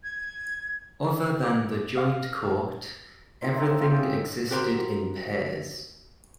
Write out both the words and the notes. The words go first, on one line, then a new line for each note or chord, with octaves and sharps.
Other than the Joint Court, everything existed in pairs.
G#6
D6
F5
C3 D#3 F3 A3
C4 D#4 C#5 E5
A#3 F4 G5
G#4
F#4 G4 A#4 C5